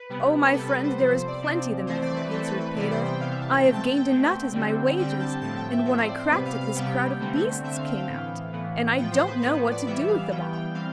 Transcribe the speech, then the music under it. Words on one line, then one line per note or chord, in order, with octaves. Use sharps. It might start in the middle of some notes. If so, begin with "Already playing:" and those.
'Oh, my friend, there is plenty the matter,' answered Peter. 'I have gained a nut as my wages, and when I cracked it this crowd of beasts came out, and I don't know what to do with them all!'
Already playing: B4
C3 G3 B3
C3 G3 B3 A4
B4
C5
C3 F3 C4 C5
C5
D5
C3 F3 C4
E3 A3 C4 C5
D5
B4
E3 A3 C4 A4
B4
B4
C3 E3 G3 B3 D5
C5
G5
C3 E3 G3 B3 F5
E5
A5
G5
B2 A3 C4 G5
A5
G5
G5
B2 A3 C4
D3 G3 C4
D3 G3 C4 G5
A5
A2 F3 A3 C4 A5
G5
E5
A2 F3 A3 C4 E5
C5
D5
C5
C3 G3 B3 B4
F5
F5
C3 G3 B3 G5
D3 A3 C4
D3 A3 C4 E5
F5
G5
F5
A2 E3 B3
A2 E3 B3
A2 F3 B3 G5
C5
B4
A2 F3 B3 B4
D5
E3 G3 B3 E5
F5
E3 G3 B3 G5
G5
E3 G3 C4 F5